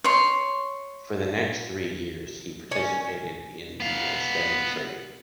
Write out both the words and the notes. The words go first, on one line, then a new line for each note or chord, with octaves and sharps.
For the next three years he participated in the extended training.
C#5 C6
C#4
B3 F5